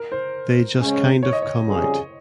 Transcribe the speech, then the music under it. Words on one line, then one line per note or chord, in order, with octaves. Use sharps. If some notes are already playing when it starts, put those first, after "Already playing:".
They just kind of come out.
Already playing: A#4
C5
C#3 G#3 C#4
C#5
D#5
C#5
F2 C#3 G3 C#4 G#4